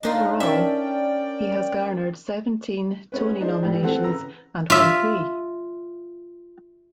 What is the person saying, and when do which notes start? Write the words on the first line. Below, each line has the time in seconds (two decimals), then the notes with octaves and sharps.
Overall, he has garnered seventeen Tony nominations and won three.
0.03 A2 D4 D#4 F4 D#5
0.40 C#4 A4 A#4 D5 E5 G5
3.12 G#3 B3 C#4 B4
3.41 D4 D#4 G#4 C5
3.63 A2 G3
3.83 E3 C4 F#4 A4
4.03 C#3 B4 A#5 E6
4.70 F4 E5